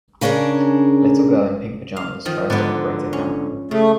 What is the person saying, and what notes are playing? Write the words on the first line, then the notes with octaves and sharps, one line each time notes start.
A little girl in pink pajamas tries to operate a camera.
C#3 C#4 D4 G#4 A#4
F5
D#3 F3
G#2 D3 B3 B4 D5
C#4
C#3 A3